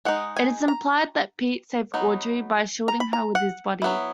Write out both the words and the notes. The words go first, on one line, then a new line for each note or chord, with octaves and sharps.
It is implied that Pete saved Audrey by shielding her with his body.
G#3 D#4 F#5
G#5
A#5
F#3 B3 D#4
A#5
B5
A#5
F#5
F#3 B3 E4